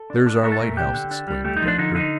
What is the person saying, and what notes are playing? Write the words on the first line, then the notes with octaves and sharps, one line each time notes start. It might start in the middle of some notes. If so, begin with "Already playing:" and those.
"There's our lighthouse!" exclaimed the Doctor.
Already playing: A4
D4
D4
A3 A#4
A4
A#2 A#4
D4 G4
D3
D4
G3
A3 G4
D#4
F3
D4
D3 D#4
D3 D#4